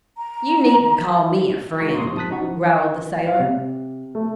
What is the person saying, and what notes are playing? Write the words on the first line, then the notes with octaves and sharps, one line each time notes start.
"You needn't call me a friend," growled the sailor.
A#5
D3 G#3 F#4 A#5 C#6 A#6
A#3 C6 C#6 D#6
G#2 C3 F3 D#6
A5 D#6 F#6 B6
C#4 D#4 E4 F#4 F#5 C#6
F3
F5
C3
A3